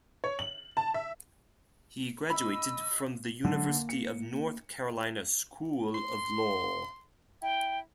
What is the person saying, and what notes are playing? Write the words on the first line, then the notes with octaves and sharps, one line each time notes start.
He graduated from the University of North Carolina School of Law.
C#5
F#7
A5
E5
D#5 B5 E6
D3 F#3 G#3 C#4
A#3
C#7
C6
E4 G5